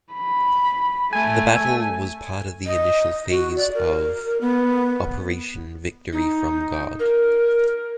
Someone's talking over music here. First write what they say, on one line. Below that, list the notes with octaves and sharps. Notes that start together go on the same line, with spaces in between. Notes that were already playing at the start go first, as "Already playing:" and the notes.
The battle was part of the initial phase of Operation Victory from God.
B5
A3 G#5
D#5
F#4
D5
A#4
B3
D#4
A#4